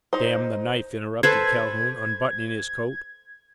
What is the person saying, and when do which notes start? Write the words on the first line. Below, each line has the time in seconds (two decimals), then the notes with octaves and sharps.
"Damn the knife!" interrupted Calhoun, unbuttoning his coat.
0.13 D#4 C5
1.23 A4 B4 C5 G#6